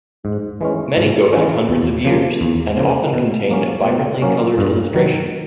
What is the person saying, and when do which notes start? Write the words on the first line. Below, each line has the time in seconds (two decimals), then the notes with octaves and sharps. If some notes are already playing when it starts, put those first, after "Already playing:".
Many go back hundreds of years and often contain vibrantly colored illustration.
0.25 G#2
0.61 E3 G#3 C#4
0.97 G#2
1.32 E3 G#3 C#4
1.69 E2
2.04 C#3 F3 A#3
2.41 E2
2.77 C#3 F3 A#3
3.13 B2
3.50 F#3 A#3 C#4
3.86 B2
4.22 F#3 A#3 C#4
4.58 G2
4.94 D#3 F#3